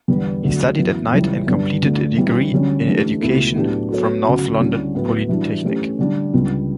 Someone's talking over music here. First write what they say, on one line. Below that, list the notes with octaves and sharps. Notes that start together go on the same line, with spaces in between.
He studied at night and completed a degree in education from North London Polytechnic.
E2 D3 G3 B3
D2 D3 F#3 A3
F#2 E3 B3
C#2 C#3 E3 G3 C#4
G2 D3 G3 D4
D2 D3 A3
E3 G3 C#4
D2 D3 G3 C#4
E3 A3 D4 G4
C#2 B2 A3 E4 A4
A2 F#3 B3 D4 G4
F#3 B3 F#4 A4 C#5
D2 C#3 F#3
D2 D3 G3 C#4 E4
A2 F#3 B3 E4
E3 G3 D4 F#4
E3 A3 C#4 G4
D3 G3 D4
C#2 C#3 G3 D4